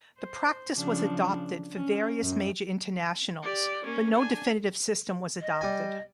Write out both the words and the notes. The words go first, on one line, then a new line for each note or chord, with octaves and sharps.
The practice was adopted for various major internationals but no definitive system was adopted.
C5
C#3 F3 D4
C#4
F#2
G4 D5
A#3 C#4
D4 G#5
D#5
G3 G#5